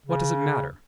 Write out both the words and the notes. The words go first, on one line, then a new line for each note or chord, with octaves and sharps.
What does it matter?
C#3